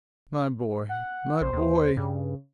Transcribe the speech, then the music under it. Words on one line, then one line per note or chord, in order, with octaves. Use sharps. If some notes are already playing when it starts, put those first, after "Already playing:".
My boy! my boy!
F#5
A#1 C5
D#2
G2 C#3